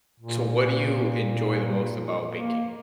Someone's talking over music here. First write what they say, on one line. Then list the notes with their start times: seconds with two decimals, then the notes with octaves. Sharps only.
So what do you enjoy the most about baking?
0.20 A#2
2.33 A#3